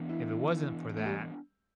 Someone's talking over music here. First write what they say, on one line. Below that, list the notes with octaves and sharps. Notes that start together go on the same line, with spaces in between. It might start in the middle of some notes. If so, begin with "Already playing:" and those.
if it wasn't for that,
Already playing: E3 B3 D4
E4
A3
G3